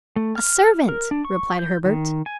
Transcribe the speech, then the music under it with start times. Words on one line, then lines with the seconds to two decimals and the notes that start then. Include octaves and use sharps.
"A servant!" replied Herbert.
0.16 A3
0.36 F6
0.89 A#4
1.11 D4
1.25 C#6
1.59 G6
1.85 D#3
2.26 G#5